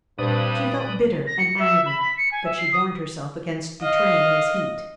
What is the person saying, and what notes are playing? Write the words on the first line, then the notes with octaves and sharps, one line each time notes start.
She felt bitter and angry, but she warned herself against betraying this heat.
G2 A#2 C4 B4 D5 D#6
A#6
C#7
E5
B5
B6
C#7
G#5
E5
C7
D#6
D#5 F5